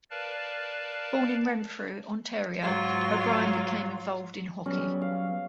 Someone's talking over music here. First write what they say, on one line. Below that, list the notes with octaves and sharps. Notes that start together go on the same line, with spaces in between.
Born in Renfrew, Ontario, O'Brien became involved in hockey.
A#4 B4 D5 F5 A5
G#2 F#3 F4
F#3 G3 B3 C#4
F5